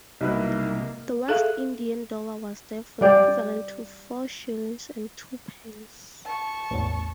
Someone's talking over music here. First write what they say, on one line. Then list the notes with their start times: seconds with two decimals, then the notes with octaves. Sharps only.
The West Indian dollar was therefore equivalent to four shillings and two pence.
0.21 B1 C3 G3 A#3 D#4 E4 B4
1.28 G#4 A4 E5 F5
3.01 G3 D5 G5
6.25 A5 C#6
6.71 A1 E2